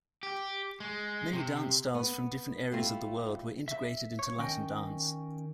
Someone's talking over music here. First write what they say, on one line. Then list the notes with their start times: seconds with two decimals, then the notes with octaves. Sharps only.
Many dance styles from different areas of the world were integrated into Latin dance.
0.23 G4
0.80 G#3
1.33 C3
1.95 B3
2.71 G3 A3 E4 F4
3.68 E5
4.19 C#5
4.38 D#3 C#4 D#5 G5